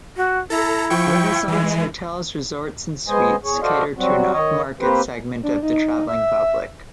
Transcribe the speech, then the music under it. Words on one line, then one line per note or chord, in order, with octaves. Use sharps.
Renaissance Hotels, Resorts and Suites cater to an upmarket segment of the traveling public.
F#4
E4 A4 A#5
F3 G5 C#6
E3 G#3
G#3 B3 C5 D#5 G#5
E2 G#4 C#5
F#4 A4 C5 D5 D#5 F5
F#3 G3 C4 F#4
D#3 C#5 D#5
A#3 C4 G4 B4 C5
D4
D#4
E5